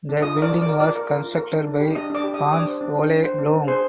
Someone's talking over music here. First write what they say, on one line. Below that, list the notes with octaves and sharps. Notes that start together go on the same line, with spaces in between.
The building was constructed by Hans Ole Blom.
D4
F4 D#5 D#6
A#4
D5 D6
F4
D5 D6
A#4
F4 D5 D6
A#4
A#4
F4
A#4
D4
D4
G4
D4 D#5 D#6
D4 D5 D6
G4
D#5 D#6
G4
D#6
D4 D5 D6
C5
D4
D4
D4
C5
D4
D4
G#4 C5 C6